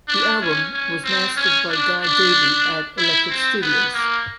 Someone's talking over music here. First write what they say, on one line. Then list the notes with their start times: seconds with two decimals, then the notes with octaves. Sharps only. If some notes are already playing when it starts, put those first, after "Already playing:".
The album was mastered by Guy Davie at Electric studios.
0.08 D4
0.41 C#4
0.74 C#4
1.04 C4
1.37 C#4
1.70 D4
2.02 D4
2.98 E4
3.30 C4
3.62 B3
3.94 A#3